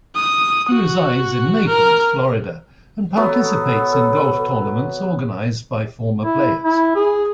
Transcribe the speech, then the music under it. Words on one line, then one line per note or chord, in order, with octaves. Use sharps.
He resides in Naples, Florida, and participates in golf tournaments organized by former players.
D#6
F#4
A#4
F#3 B3 A4
E4
E4
G#4